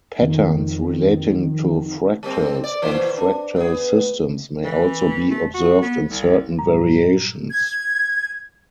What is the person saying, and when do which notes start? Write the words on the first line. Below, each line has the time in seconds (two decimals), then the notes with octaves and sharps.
Patterns relating to fractals and fractal systems may also be observed in certain variations.
0.19 F2 D#3
2.23 G3 A#3 C4
2.64 D5
2.82 B2 E3 C5
3.17 D4
3.56 B3 G#4
4.64 E3
5.31 A3
5.54 F#4
5.82 B3
6.09 C2
6.59 G2 A#2 G3 A#5
6.81 F#3
7.50 G#6